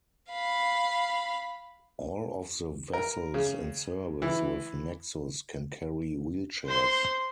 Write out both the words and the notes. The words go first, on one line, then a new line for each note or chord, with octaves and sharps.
All of the vessels in service with Nexus can carry wheelchairs.
F5 B5
A#4
C#3
E3
C5 C6